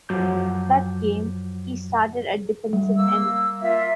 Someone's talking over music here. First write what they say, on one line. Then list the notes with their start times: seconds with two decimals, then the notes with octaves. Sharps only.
That game, he started at defensive end.
0.09 F#2 F3 F#3 D6 G6
2.73 G3
2.98 A#3 E6
3.62 A#3 F4 E5